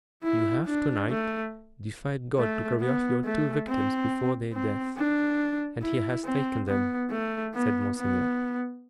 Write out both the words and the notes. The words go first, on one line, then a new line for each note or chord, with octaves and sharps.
'You have to-night defied God to carry off your two victims before their death, and he has taken them,' said monseigneur.
E4
D4
A3
A3
B3
A3
C4
C4
D4
E4
C4
B3
A3
B3
B3